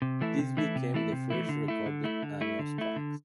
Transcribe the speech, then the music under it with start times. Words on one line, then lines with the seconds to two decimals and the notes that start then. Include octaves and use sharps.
These became the first recorded Annuals tracks.
0.02 C3
0.21 E3 A3 E4
0.39 C3
0.57 E3 A3 E4
0.76 C3
0.94 E3 A3 E4
1.12 C3
1.30 E3 A3 E4
1.49 D3
1.68 A3 E4
1.86 D3
2.04 A3 E4
2.22 D3
2.41 A3 E4
2.59 D3
2.78 A3 E4
2.96 D3